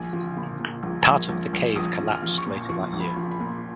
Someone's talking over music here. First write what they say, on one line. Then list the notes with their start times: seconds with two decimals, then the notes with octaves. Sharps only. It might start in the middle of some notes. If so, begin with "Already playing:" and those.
Part of the cave collapsed later that year.
Already playing: A#1 G#5
0.13 F3
0.37 A#2
0.59 A#2
0.83 A#1
1.07 A#1
1.29 A#1
1.53 A#1
1.76 A#1 D#6
2.00 F3
2.08 F6
2.22 F3
2.38 C#6
2.47 A#2
2.69 F3 C#6
2.93 A#1
3.00 B5
3.16 F3
3.31 B5
3.40 A#2